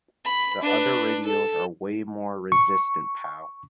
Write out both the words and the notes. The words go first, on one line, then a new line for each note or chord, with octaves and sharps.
The other radios are way more resistant, Pau!
B5
D4 B4
A4
C#6